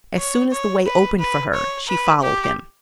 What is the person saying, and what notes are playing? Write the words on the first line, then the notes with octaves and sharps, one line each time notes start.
As soon as the way opened for her, she followed him.
C#5
C#5
B4
B4
C#5
B4
G4